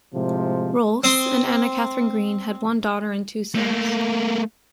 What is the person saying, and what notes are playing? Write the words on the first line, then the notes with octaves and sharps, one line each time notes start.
Rohlfs and Anna Katharine Green had one daughter and two sons.
A2 C3 F3 G#3
C4 C6 D#6
A3 A#3